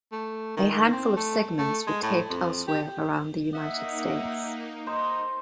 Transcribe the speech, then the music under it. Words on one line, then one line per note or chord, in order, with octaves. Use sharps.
A handful of segments were taped elsewhere around The United States.
A3
D#3
D#3
C4
A3
A3
G#3
A2
F2
G4
A#3 D#4 D#5 E5 F#5
D#4 C5